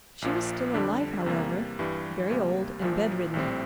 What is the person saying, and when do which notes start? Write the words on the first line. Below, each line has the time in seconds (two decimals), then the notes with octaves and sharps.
She was still alive, however, very old, and bedridden.
0.22 A#1 A#2 F3
0.74 F2 D3 G3 D4 G4
1.26 E2 C3 G3 A#3
1.79 G2 E3 G3
2.30 D2 C3 G3 A#3
2.82 A#1 A#2 F3
3.34 A#1 A2 G3 C4